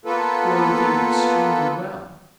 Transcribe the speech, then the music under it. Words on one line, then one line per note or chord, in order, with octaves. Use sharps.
You are looking extremely well.
A#3 B3 F4 A4 B4